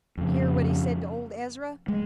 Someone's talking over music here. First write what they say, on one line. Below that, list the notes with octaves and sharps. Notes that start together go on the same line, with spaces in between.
Hear what he said to old Ezra?
F2 C#3
G#3